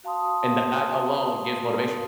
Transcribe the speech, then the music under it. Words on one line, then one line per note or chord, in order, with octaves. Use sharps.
And that alone gives motivation.
F#4 F5 A5 C6 D#6